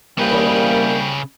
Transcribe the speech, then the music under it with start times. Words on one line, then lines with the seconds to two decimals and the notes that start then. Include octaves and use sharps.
but, um
0.19 C2 C#3 G3 A#3 B4 G5